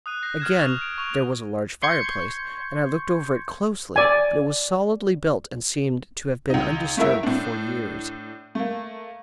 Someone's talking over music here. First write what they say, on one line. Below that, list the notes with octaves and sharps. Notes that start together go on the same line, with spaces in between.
Again there was a large fireplace, and I looked over it closely; but it was solidly built and seemed to have been undisturbed for years.
D#6 F#6 D#7
G6 A#6 C7
F6 G#6 E7
C#6 F7
D7
C#6 D7 F7
C6 C#6 G6 G#6 C#7
D5 G#5
C#2 D#4
A3 E4 A#4 E5
A2 D4
A3 A#3